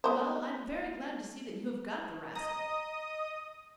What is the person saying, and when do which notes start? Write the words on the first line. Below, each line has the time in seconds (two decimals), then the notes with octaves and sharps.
Well, I'm very glad to see that you have got the rascal.
0.04 G3 B3 C5
2.35 D#5 A#5 D#6